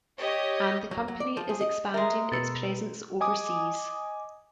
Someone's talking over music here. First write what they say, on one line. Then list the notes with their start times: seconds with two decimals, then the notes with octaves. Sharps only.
And the company is expanding its presence overseas.
0.17 G4 C#5 D#5
0.91 F#3
1.08 F#3
1.20 D5
1.37 F3
1.49 G#4
1.61 D#5
1.94 G#3 A#4 E5
2.32 B2 B4 E6 A6 C#7
3.21 D#5 G#5 D6 D#6